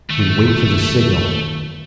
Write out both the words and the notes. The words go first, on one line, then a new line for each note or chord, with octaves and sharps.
"We wait for the signal."
D#3 A3